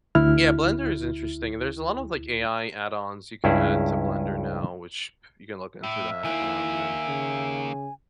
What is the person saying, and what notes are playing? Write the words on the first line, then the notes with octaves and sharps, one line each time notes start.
Yeah, Blender is interesting, there's a lot of, like, AI add-ons you can add to Blender now, which you can look into that, um, and,
D2 E4 F6
C#2 G2 C#4 E4 G#4 D5
A2 E5
D#3 A#3 E4 G#5
C#3